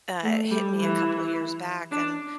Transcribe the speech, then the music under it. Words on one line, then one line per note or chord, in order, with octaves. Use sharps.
I uh, hit me a couple years back and
A3
G3
E3
D4